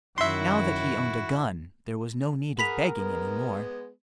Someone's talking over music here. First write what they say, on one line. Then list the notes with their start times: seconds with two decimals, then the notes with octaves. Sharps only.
Now that he owned a gun there was no need of begging any more.
0.18 F#2 D#3 E4 F#4 E5 C6
2.59 G#4 A#4 F#5 B5 B6 F7
2.95 G#3 B3